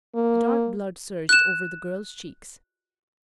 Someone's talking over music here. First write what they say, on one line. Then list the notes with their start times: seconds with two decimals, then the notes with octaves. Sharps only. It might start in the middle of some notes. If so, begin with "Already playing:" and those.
The dark blood surged over the girl's cheeks.
0.15 A#3
1.29 F#6 E7